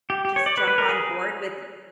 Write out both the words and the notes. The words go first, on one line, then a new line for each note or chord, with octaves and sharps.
just jump on board with
G4
G4
C#5
D5
B4
B4
A#4
G#4